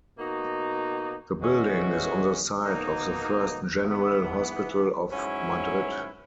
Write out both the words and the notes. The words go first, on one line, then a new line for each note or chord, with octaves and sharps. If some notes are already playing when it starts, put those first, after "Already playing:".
The building is on the site of the first General Hospital of Madrid.
B2 A#3 D#4 F#4
E3 G#3 C#4 F#4
B2 A#3 D#4
G#2 E3 B3
G#2 F#3 C#4 E4